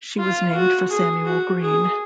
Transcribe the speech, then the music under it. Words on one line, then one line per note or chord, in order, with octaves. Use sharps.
She was named for Samuel Greene.
F4
F#4
G#4
F#4
G#4